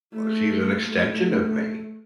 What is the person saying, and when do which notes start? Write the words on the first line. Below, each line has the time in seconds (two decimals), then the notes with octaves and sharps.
she's an extension of me.
0.14 A3
0.86 A3